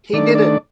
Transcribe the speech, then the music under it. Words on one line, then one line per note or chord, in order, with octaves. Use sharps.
He did it.
D#3 A3 D4 D5
D5